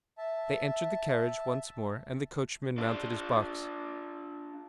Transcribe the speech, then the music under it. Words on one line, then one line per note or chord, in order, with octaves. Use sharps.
They entered the carriage once more, and the coachman mounted his box.
E5 A5
D4 F4